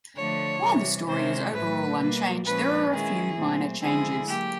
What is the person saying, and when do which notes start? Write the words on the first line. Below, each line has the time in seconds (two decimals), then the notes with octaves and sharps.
While the story is overall unchanged, there are a few minor changes.
0.16 D3 F3 A3 D4 C#5
0.62 C3 E3 G3
1.07 C3 D#3 G#3 C#4 E4 C5
1.53 A2 F#3 A3 B4
1.99 B2 G3 A#3
2.45 A#2 F3 G#3 C#4 B4
2.90 D#3 G#3 C#4 E4 G#4
3.36 A#2 F#3 A3 C4
3.81 D3 F3 G#3 C4 E4 G#4
4.27 F#3 A#3 G4